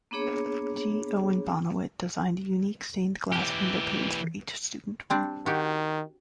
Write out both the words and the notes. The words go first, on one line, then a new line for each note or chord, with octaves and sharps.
G. Owen Bonawit designed unique stained glass windowpanes for each student room.
A#3 B3 D4 G#4 C#5
E3 G4
G3 C4 D4
D#3 F#4 G4